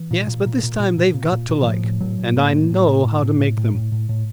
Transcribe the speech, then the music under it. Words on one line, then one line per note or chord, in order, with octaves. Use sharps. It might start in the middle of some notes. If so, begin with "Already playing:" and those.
"Yes, but this time they've got to like; and I know how to make them."
Already playing: E3
A#2
A#2
A#2
A#2
A#2
A#2
A#2
A#2
A#2
E3
A2 F3
A2
A2 F#3
A2
A2 A#3
A2
A2
A2
A2
A2
A2
A2
A2
A2
A2